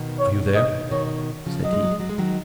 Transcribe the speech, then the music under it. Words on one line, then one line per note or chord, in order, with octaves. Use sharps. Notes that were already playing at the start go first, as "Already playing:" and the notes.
"Are you there?" said he.
Already playing: B2 D#3
C#5
D#5
B2 D#3 C#5
C#3 F3
F#3 D#5
G#3
F#3
G#3
F#3
G#3
D#3 F#3